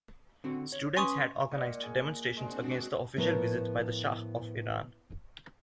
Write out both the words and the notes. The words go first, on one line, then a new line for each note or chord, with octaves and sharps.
Students had organized demonstrations against the official visit by the Shah of Iran.
D3 C4 F#4
C#5
C#4 B4 G#5 C6 C#6 D#6
A#2 D#5 F#5
G#4
G#3 C4 D4 F#4
A2 F3 B3 A#4 C#5